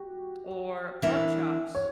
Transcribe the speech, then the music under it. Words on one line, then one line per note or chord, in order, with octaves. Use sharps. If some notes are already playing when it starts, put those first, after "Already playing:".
or pork chops.
Already playing: F#4 G4
E3 B3 D4 A#4 E5
C#5